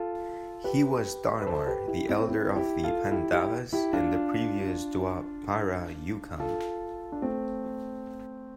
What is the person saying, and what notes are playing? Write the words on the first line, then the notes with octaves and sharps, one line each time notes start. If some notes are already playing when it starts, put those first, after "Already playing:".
He was Dharmar, the elder of the Pandavas in the previous Dwapara Yukam.
Already playing: F4 A4
G4 B4
B4
A4 C5
G4 B4
E4 G4
C4 E4
C4 E4
E4 G4
F4 A4
E4 G4
E4 G4
E4 G4
D4 F4
F4 A4
D4
A3 C4